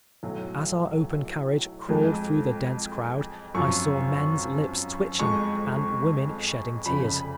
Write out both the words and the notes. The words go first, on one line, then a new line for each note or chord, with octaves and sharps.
As our open carriage crawled through the dense crowd I saw men's lips twitching and women shedding tears.
B1 A2 F#3
F2 F3 G#3
G#1 F#2 F3 C#6
F2 F3 G#3 C#6
F1 F2 C#3 F3 B5